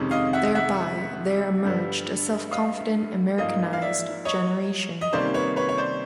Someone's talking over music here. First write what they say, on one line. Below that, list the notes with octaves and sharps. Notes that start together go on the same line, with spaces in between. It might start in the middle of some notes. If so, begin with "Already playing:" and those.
Thereby there emerged a self-confident Americanized generation.
Already playing: F2 C3 D#3 G#3 C#4
D#5 F5
E5 F#5
E5 F#5
G2 D3 G3 B3
D#5 F5
G#2 F3 A#3 D#5 F5
F5
D5 E5
C#5 D#5
D#5
C3 D#3 G3 A#3 C#4 C5 D5
B4 C#5
B4 C#5
C#5
C5 D5